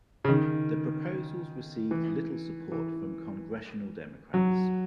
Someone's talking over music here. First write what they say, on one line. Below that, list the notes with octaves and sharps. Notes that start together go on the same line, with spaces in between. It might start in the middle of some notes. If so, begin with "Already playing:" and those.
The proposals received little support from congressional Democrats.
C#3
D#3
E3
E3
F#3